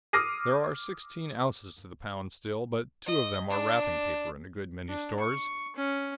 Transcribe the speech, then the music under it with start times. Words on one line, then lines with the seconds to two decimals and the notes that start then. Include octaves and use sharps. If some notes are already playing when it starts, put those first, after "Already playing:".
There are sixteen ounces to the pound still, but two of them are wrapping paper in a good many stores.
0.13 D6 D#6 F6 A#6 C7 D#7
3.06 D#5
3.49 D4
4.89 D4
5.19 C#6
5.76 C#4